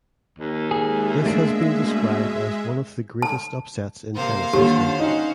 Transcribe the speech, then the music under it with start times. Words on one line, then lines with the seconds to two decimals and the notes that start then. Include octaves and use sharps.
This has been described as one of the greatest upsets in tennis history.
0.39 D#2
0.71 G#3 G#4 E5
1.26 A3 A#3 D4
1.79 B2
3.22 A5
4.15 C3 A#3 A#4 C5 F5
4.53 D#2 D3 F4 G4
5.00 C#4 D#4 F#4